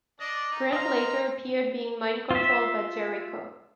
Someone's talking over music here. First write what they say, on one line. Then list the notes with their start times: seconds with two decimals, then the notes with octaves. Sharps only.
Grant later appeared being mind-controlled by Jericho.
0.20 D4 D5 D#5 A#6
0.52 D#4
0.73 D#5 F5 A#5 C6
2.31 F4 E5